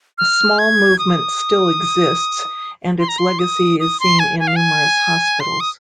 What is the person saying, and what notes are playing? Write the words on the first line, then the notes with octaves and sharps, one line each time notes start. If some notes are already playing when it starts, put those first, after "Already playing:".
A small movement still exists and its legacy is seen in numerous hospitals.
F6
G#6
D#6
C6
A#5
C6
D#6
D#6
C6
G#5
G#5
F5
G#5
C6
D#6